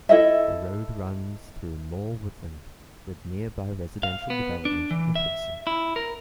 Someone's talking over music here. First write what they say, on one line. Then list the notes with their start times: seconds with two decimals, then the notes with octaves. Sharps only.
The road runs through more woodland, with nearby residential development increasing.
0.09 E4 A4 D#5 E5
4.03 F5
4.30 B3
4.65 D4
4.91 E3
5.15 E5
5.67 E4
5.96 A#4